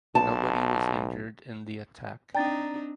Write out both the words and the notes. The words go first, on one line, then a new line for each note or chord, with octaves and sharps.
Nobody was injured in the attack.
B1 A5
C4 D4 D#4 D5 G5 A#5 A6